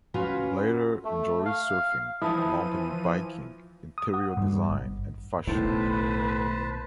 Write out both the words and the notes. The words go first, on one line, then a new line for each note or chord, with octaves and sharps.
Bleiler enjoys surfing, mountain biking, interior design and fashion.
C#4 F4 F#4 B4
A3
F5
E3 F3 E4 A5 D#6 D#7
D#6
F#5
G2
G#1
B1 A2 D#3 B4 C5 A5